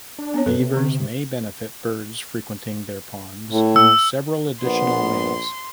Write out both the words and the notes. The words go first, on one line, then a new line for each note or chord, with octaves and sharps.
Beavers may benefit birds frequenting their ponds in several additional ways.
D4
B3 C4 C#5
F#2 A4 B4
C3
D3 C4
A2
E6
A#1 B3 C6